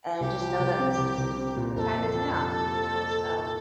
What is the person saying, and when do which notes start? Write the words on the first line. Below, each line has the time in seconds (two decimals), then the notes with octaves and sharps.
and just know that this is this is the time is now, you know, so
0.20 C2 G4
0.40 F3
0.59 C2
0.79 C4
0.98 C2
1.17 C2
1.37 C4
1.56 A#2
1.76 F2 A4 A#4
1.95 F2
2.14 F2
2.34 C3